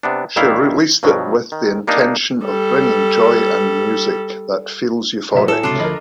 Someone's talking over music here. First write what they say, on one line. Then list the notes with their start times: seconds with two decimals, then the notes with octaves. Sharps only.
She released it with the intention of bringing "joy" and music that "feels euphoric".
0.03 C3 B3 D4
0.36 A1 D#3 G3 E4 E5 F5
1.03 G2 B2 F3 F#3
1.52 D#3
1.87 G3 A#3 D4 D#4
2.45 G3 A4
5.35 C2 A2 F#3 A3 E5
5.48 E4 A4 G#5
5.63 C#2 C3 D4 F4
5.80 D2 F3 A#4 D#5 B5